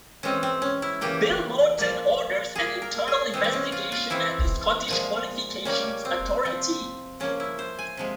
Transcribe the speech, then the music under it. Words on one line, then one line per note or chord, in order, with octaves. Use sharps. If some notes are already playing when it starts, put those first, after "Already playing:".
Bill Morton orders an internal investigation at the Scottish Qualifications Authority.
E3 G#3 C4 C#4
C4
C#4
E4
C#3 E3 A#3 G4
A#2 F3 A#3
A#2 G3 A#3 G#4
A#4
G#4
C3 E3 G#3 C4
C4
C#4
F4
F4
E3 G#3 C4 E4
A#2 F3 G#3
C#3 G3 A#3 C#4
C4
C3 F3 C4
C#3 F3 A#3 C#4
E4
C5
G#5
C3 F3 G#3